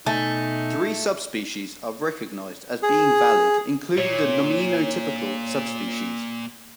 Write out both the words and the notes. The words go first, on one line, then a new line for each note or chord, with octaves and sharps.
Three subspecies are recognized as being valid, including the nominotypical subspecies.
B2 A3 D#4 G#5
G#4
A#2 C#5